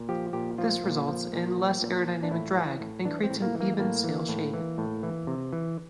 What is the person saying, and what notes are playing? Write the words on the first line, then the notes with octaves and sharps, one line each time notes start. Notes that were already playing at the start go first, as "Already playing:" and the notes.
This results in less aerodynamic drag and creates an even sail shape.
Already playing: A#2
F3 G4
A#2 G4
F3 F4
A#2
F3
A#2
F3
A#2
F3
D4
A2 E4
E3
A2
E3 D4
C4
A2
A#3
E3
A#3
A2 A#3
E3
A2
E3
A2
E3
C3
E3